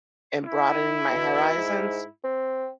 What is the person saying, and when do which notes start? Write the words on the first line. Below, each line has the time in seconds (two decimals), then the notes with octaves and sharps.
and broadening my horizons,
0.44 E4
1.11 B2
1.57 G#2
2.24 C4